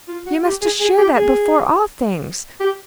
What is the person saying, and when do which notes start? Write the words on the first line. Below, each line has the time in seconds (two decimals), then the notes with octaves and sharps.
You must assure that, before all things.
0.08 F4
0.26 F#4
0.44 G4
0.62 G#4
0.80 G#4
0.98 G4
1.16 G#4
2.60 G4